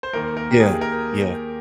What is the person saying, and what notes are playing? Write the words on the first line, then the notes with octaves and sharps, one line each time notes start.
Yeah. Yeah.
C5
D#2 D#3 A#3 A#4
A#4
G4
G#4
A#4